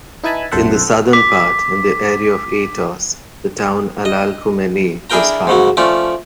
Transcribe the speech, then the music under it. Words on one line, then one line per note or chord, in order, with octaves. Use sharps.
In the southern part, in the area of Aetos, the town Alalcomenae was founded.
D#4 E4 B4 G#5 A5 B5
B1 F#2 A4 C5 E5 F#5
D6 B6
D#5
D4 E4 G#4 A#4 G5 A#5
G#2 C#3 F#3
F3 A3 C#4 D5